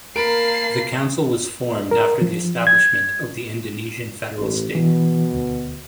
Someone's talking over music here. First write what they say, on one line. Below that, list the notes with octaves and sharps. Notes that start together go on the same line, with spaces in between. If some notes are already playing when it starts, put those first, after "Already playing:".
The council was formed after the establishment of the Indonesian federal state.
A#3 A#4 A5 B5 C7 D7
A#4
F3
G#6
A1
B2 E3
D2